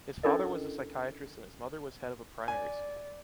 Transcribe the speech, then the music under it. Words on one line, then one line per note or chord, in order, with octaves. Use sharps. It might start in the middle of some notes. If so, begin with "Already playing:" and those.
His father was a psychiatrist and his mother was head of a primary school.
C#4 D4 E4 A4 A#4 D#5
D5 G#5